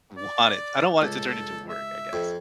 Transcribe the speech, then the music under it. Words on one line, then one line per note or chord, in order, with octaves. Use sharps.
want it I don't want it to turn into work, I guess.
D5
C#2 A4
E5
F2